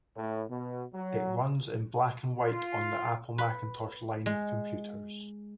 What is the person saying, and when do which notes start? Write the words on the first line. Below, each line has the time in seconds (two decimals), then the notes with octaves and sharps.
It runs in black-and-white on the Apple Macintosh line of computers.
0.16 A2
0.48 B2
0.94 F#3
2.43 F4
3.38 B4
4.26 G#3